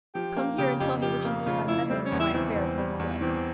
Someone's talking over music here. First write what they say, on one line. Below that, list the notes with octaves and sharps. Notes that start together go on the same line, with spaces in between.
"Come here and tell me what you mean by meddling with my affairs in this way."
F3 G4
A#3
C#3 G4
F2 G4
F3 G4
A#3
C#3 F4
F2 E4
G3 C4
C#4
E2
E4
E3 C4
E2
G3
E2
E3 C4